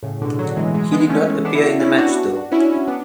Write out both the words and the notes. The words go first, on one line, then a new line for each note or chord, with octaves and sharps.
He did not appear in the match though.
A2 C#3
B2 D3
D3 F#3
E3 G#3
E3 G#3
G#3 B3
A3 C#4
B3 D4
E4
D4 F#4
C#4 E4
D4 F#4
C#4 E4
C#4 E4
B3 D4